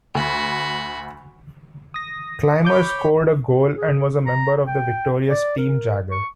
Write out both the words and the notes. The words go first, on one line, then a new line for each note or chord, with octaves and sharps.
Clymer scored a goal and was a member of the victorious "Team Jagr".
D2 F#4 B5
D#6 A#6
C#5 B5 D6 G6
G#4
A#5
G5
D5
A#4
C#6